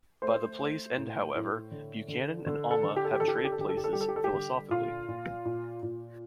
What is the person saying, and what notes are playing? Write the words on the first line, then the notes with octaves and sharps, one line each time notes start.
By the play's end, however, Buchanan and Alma have traded places philosophically.
A3 C5
A3
A2
A2
D3
D3
D3
A4
D3
G4
A4
G4
D3 A4
G4
A4
G4
A4
D3 G4
A4
G4
A4
G3 G4
A4
G4
A4
G4
D3
A#2 F4
A#2
A#2
A#2